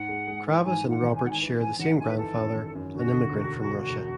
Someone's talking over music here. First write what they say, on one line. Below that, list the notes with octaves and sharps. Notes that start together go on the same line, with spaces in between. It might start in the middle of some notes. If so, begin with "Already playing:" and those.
Kravis and Roberts share the same grandfather, an immigrant from Russia.
Already playing: G#2 F#5
G#3
G#3
E3
F#5
G#2 G#5
G#2
F#5
G#1
G#5
G#2 F#5
G#5
E3
G#1 G#5
G#1 F#5
G#1 G#5
B4
E3 A4
F#2
G#1
F#2
D3 F#4
D2
E1
E1
E1
E1